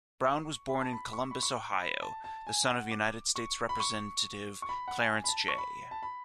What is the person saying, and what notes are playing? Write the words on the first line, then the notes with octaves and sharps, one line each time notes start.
Brown was born in Columbus, Ohio, the son of United States Representative Clarence J.
C#6
B5
A5
B5
C#6
B5
C#6
B5
A5
A5
G#5
F#5
D6
C#6
B5
C#6
C#6
B5
F#5
G#5
B5
A5
C#6
B5
A5
B5